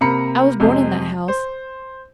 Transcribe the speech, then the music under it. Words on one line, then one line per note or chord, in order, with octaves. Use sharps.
I was born in that house.
C3 A#3 A#5 B5 C#7
F2 C3 G#3
C5